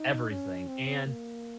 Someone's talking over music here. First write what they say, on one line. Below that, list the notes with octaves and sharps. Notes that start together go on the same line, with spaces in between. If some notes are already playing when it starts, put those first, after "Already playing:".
everything, and
Already playing: D#4
C#4
C4
A#3